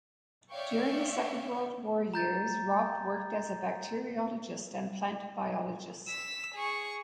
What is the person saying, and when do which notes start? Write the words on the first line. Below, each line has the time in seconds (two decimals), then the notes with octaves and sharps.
During the Second World War years, Ropp worked as a bacteriologist and plant biologist.
0.52 C#5 D5 E5 F5 G5 C#6
2.14 A#5 G6 A6
6.08 E6 B6
6.55 G#4 C#6